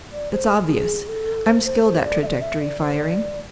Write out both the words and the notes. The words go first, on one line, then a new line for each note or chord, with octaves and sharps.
It's obvious: I'm skilled at trajectory firing.
D5
C5
G#4
A4
C5
C5
C5
D5
E5
D5
E5
D5
D5
C5
D5